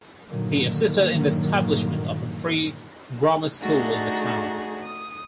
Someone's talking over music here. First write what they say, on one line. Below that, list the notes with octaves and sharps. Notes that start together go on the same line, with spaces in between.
He assisted in the establishment of a free grammar school in the town.
G2 A#2 D3 D#3 F#3 A#3
A3 D4 D#4 F#4 G#4
D#6